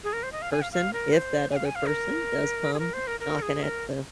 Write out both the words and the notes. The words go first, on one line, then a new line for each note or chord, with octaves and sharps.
person, if that other person does come knocking at the
G#4
A#4
C5
D#5
F5
G#5
F5
F5
A#4
C5
G#5
F5
G#5
F5
A#4
G#4
A#4
C5
A#4
A#4
G#4
A#4